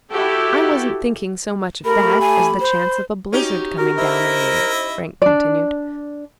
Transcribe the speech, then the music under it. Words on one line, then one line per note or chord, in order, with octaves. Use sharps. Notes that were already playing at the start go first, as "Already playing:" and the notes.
"I wasn't thinking so much of that as the chance of a blizzard coming down on you," Frank continued.
E4 F#4 G4 A4
A3 G4 A#4 B5
G#5
C5
C#4 D#4 F#4 G4
F#4 A#4
E4 C5 D#5 E5
D4 D5